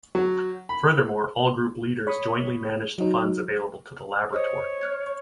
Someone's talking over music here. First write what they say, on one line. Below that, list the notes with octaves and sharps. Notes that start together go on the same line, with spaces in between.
Furthermore, all group leaders jointly manage the funds available to the laboratory.
F#3
B5
C#5 B5 C#6 D#6
F#3 D#4
C5 C#5 D#5 D#6
F6 F#6 G#6
C#6